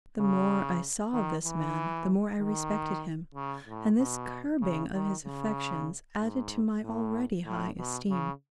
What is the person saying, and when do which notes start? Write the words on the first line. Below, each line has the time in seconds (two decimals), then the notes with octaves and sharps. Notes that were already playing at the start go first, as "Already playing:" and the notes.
The more I saw of this man, the more I respected him, and this curbing of his affections added to my already high esteem.
0.18 C#3
1.13 D#3
1.44 E3
2.39 D#3
3.34 C#3
3.66 A2
3.98 B2
4.61 C#3
4.92 D#3
5.25 C#3
6.19 G#2
6.83 A2
7.45 A2
7.77 B2
8.09 C#3